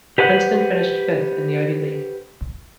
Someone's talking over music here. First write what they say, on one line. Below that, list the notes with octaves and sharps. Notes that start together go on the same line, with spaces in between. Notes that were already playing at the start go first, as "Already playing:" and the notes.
Princeton finished fifth in the Ivy League.
G4 B4 C5 F#5